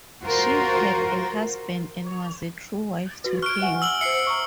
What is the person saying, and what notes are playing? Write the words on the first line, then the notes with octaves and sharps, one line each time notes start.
She had a husband and was a true wife to him.
F4 F#4 A#4 C5
F#4 B4
C#6 F6 F#6 D7 G7
E5 F#5 G#5
E6 F#7 G7
C5 E5 C7 C#7
A#5 C#6